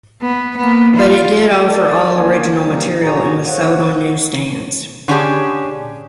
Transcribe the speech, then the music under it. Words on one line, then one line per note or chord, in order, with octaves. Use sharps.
But it did offer all original material and was sold on newsstands.
B3
A#3 B3
F4
A#4 D5 A5
D2 D#3 A#3 C#4 D5 G#5
C#3 F#3 G3 A#3 C4 D#4
D4 F#4 G#4 C#5 A#5
C5 C#5 F5 F#5
D3 C#4 D4 G4 G#4